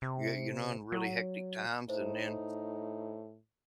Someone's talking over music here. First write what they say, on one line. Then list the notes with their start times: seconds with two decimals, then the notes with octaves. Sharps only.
y you know, in really hectic times, and then
0.02 C3
0.92 F#3
1.89 A2 D#4 C5